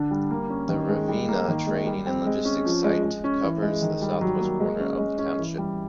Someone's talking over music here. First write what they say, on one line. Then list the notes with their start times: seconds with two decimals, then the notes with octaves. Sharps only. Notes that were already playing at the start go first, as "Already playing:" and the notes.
The Ravenna Training and Logistics Site covers the southwest corner of the township.
Already playing: D3 D4
0.11 G3
0.31 A#3
0.50 C#4
0.69 D#3
0.88 G#3
1.08 G3
1.29 A#3
1.48 D#3
1.67 G#3
1.86 G3
2.07 C4
2.26 G#3
2.45 C#4
2.65 F3
2.84 G#3
3.03 G#3
3.24 C#4
3.44 E3
3.62 G#3
3.82 D#3
4.02 G3
4.21 F#3
4.41 A#3
4.60 G#3
4.80 C#4
4.99 G#3
5.18 C#4
5.39 E3
5.58 G3